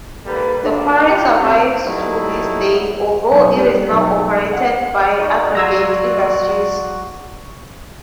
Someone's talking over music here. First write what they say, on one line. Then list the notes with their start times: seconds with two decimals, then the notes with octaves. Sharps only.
The quarry survives to this day, although it is now operated by Aggregate Industries.
0.24 G#2 G3 A#3 A4 B4
0.62 D2 A#3 D4
1.06 E4 F4 G4
1.38 G#1 G2 C3
1.85 F#3 G3 A3 D#4 E4
3.32 B1
3.57 G3
3.91 B1
4.53 F#5
5.20 D#4 F#4 D5
5.55 F#3 F4 A#5 E6 G#6